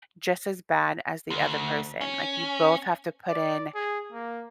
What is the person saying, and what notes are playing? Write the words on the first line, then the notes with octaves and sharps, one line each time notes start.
just as bad as the other person, like, you both have to put in
D2
C#4
D5
G#4
A#3